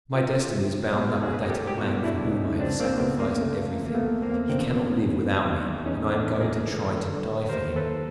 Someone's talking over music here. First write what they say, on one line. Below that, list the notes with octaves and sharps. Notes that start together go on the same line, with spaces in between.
My destiny is bound up with that of a man for whom I have sacrificed everything; he can not live without me and I am going to try to die for him.
B2 F4 G4
C#2
B2 F#4 G#4
F#4 G#4
B4
C#2 A#4
G4 A4
G4
B2 E4 F#4
D4 E4
C#2
C#4 D#4
C#2 C4 D4
A#3 C4
C#2 A3 B3
A#3
C#3 A3
A#3
E2 A#3
A3 B3
E2 A#3 C4
C4 D4
E3
B3 C#4
C#3
E2
E2 C#4 D#4
D4 E4
C#3
G#4 A#4
D#2 A4 B4
D3
D#2 A#4 C5
A4 B4